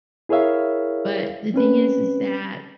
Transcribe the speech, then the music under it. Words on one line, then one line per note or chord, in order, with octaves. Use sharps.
but the thing is is that
E4 G#4 A#4 C#5 E5 F5
C4 C#4 B4